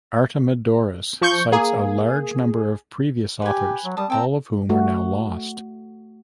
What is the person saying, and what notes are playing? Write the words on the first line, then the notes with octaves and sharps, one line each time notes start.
Artemidorus cites a large number of previous authors, all of whom are now lost.
F3 C#6 G6
A#3 G#4
G4 B4 G#5
F#3
G3 A5 D#6
C4 G5 A5 A#5
A3 F#4